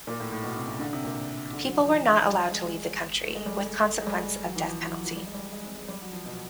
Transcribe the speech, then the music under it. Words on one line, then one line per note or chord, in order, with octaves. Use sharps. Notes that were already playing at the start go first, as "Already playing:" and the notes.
People were not allowed to leave the country, with consequence of death penalty.
A#2
A2
A2
B2
C3
C#3
D3
C3
A#2
D3
F#3
F3
E3
F3
G3
G#3
A3
G#3
G3
A3
A3
G#3
G3
F#3
E3
F3
F#3
F#3
F3
G3
G#3
G3
G#3
C4
G#3
G3
F#3
F3
B2